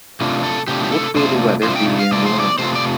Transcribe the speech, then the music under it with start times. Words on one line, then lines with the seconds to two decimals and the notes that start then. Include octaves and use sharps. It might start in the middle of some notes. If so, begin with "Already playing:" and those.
What will the weather be in Rwanda?
0.21 C3 A3 D4 F4
0.44 A4
0.68 C3 A3 D4 F4 G4
0.83 G4
0.92 A4
1.15 C3 A3 D4 F4 C5
1.63 C3 A3 D4 F4 C5
1.76 G5
1.99 F5
2.12 C3 A3 C4 F4 D5
2.26 C5
2.40 D5
2.59 C3 A3 C4 F4 C5
2.75 D5